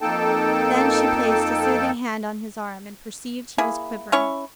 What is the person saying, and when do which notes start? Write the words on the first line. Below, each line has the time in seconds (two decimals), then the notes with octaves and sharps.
Then she placed a soothing hand on his arm and perceived he was quivering.
0.01 F2 A#3 D#4 A4 G5 A5
3.58 A#3 E4 G#4
4.12 C#4 E4 C#5 C#6